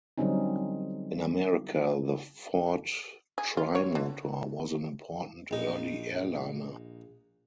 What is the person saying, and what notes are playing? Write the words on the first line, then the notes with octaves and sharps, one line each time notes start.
In America, the Ford Trimotor was an important early airliner.
D3 F#3 G3 C4 C#4 D#4
G#4
F4
C#5
D3
A#1 D#4